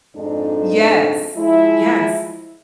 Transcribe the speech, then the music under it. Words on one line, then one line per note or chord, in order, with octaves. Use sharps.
Yes. Yes.
F2 G#2 D4 D#4 A4
F3 G#3 E4